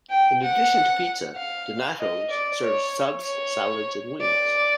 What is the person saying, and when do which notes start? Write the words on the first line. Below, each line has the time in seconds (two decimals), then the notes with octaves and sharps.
In addition to pizza, Donatos serves subs, salads, and wings.
0.10 G5
0.42 F#5
1.36 F5
2.00 D#5
2.31 D5
2.63 C#5
3.25 C#5
4.21 D5